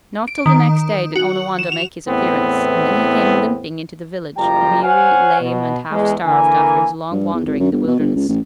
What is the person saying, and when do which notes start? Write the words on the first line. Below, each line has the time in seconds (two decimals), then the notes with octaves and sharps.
Not till the next day did Onawandah make his appearance, and then he came limping into the village, weary, lame, and half starved, after his long wandering in the wilderness.
0.28 D7
0.46 D#3
1.16 F#4
1.59 E7
1.72 F7
2.07 E2 A2 B3 C4
4.37 F#1 F3 G3 F4 G5 A#5
4.82 C5 C#5 F5 F#5 G#5
5.40 B2
5.91 E2 G#3
6.24 D3 E3 A#3 A#4 G#5
7.12 G2
7.34 E2
7.46 G#1
7.60 F#2
7.72 G1
7.87 B2
7.99 G1
8.16 C#2
8.29 A1